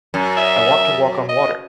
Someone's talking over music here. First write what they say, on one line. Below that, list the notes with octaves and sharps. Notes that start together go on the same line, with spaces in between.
I want to walk on water!
F#2
E5
D#5